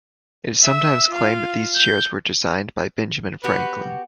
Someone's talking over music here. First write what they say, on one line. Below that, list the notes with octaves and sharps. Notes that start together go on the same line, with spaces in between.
It is sometimes claimed that these chairs were designed by Benjamin Franklin.
E5 E6
F4 F5
G6
B3 F#4 G4 B4